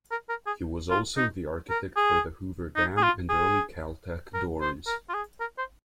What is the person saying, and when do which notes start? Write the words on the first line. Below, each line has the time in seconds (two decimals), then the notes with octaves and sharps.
He was also the architect for the Hoover Dam and early Caltech dorms.
0.11 A#4
0.29 A#4
0.47 G#4
0.91 F4
1.17 D#4
1.70 A#4
1.96 G#4
2.76 D#4
2.98 G#4
3.03 F4
3.29 G#4
4.34 A#4
4.62 C5
4.87 A#4
5.10 F4
5.14 G#4
5.40 A#4
5.58 C5